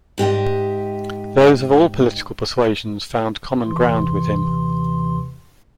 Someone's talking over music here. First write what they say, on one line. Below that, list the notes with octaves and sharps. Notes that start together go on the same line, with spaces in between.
Those of all political persuasions found common ground with him.
G#2 G4 D#5 E5
D#2 C3 E3 C6